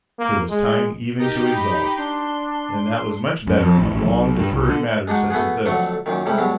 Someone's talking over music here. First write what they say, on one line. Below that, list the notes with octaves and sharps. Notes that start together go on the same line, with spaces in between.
There was time even to exult, and that was much better in a long-deferred matter such as this.
A#3
G#3
D#4 G4 A#4
B5
D4 C6
F#2
F2
A1
A1
B1
G2
C2
D3
G#3 D4 D#4 F#4
A3 B3 F#4 G#4
F2 D3 F#3 A3 C#6
F#2 A#2 D#3
A2 C3 G3 G#3
G2 B2 F#3 G#3